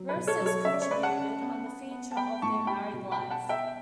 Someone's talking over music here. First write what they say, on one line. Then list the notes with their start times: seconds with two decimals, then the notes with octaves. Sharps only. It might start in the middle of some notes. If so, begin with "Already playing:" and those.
Roces contributed on the feature of their married life.
Already playing: F#3
0.09 B4
0.16 B2
0.27 A4 C#5
0.41 F#3
0.46 A4 C#5
0.65 C#3 E5
0.74 D5
0.82 C#5
0.91 C#3 B4 D5
1.03 F#5 A5
1.16 C#3
1.41 B3
1.66 B3
1.91 B3
2.11 A5
2.17 B3 G5 B5
2.42 A2 A5 C#6
2.67 G3 G5 B5
2.93 B2
3.12 G5 B5
3.18 B2
3.30 F#5 A5
3.44 B3
3.49 E5 G5